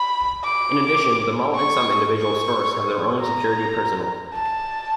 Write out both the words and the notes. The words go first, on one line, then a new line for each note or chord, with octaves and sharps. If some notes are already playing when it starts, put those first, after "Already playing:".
In addition, the mall and some individual stores have their own security personnel.
Already playing: B5
D6
C#6
C#6
A#5
A5